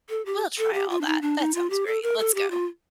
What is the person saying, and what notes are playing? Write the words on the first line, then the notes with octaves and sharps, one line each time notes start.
we'll try all that, that sounds great, let's go."
A4
G4
A4
G4
F4
D4
D#4
D4
D#4
F4
G4
A4
A#4
A4
G4
F4